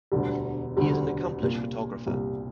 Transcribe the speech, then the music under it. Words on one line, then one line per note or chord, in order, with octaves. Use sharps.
He is an accomplished photographer.
E1 D2 D3 G3
E1 D2 D3 G3
C2 A#2 G3
C2 A#2 G3